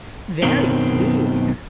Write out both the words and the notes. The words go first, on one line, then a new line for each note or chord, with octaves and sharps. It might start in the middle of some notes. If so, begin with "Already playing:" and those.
Very sweet!
F#2 B2 D#3 F#3 C4